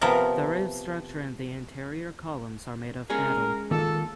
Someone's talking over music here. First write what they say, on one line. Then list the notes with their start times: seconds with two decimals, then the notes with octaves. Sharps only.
The roof structure and the interior columns are made of metal.
0.01 C3 F3 B3 A#4
3.10 G#3 C#4 G#4 A#4
3.71 D#3 A#3 F4 A4